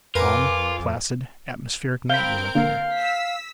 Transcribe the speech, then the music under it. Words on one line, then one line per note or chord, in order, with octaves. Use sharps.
Calm, placid, atmospheric night was up here.
F2 F4 A#4 B4 G#5 D6
C4 A#4 F5 B5 G6 D7 G7
D3 A#3 F5
E6 B6